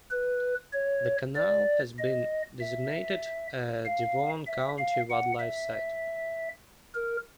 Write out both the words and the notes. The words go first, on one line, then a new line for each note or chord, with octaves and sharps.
The canal has been designated a Devon County Wildlife Site.
B4
C#5
D5
D#5
E5
F5
E5
F5
F#5
E5
A#4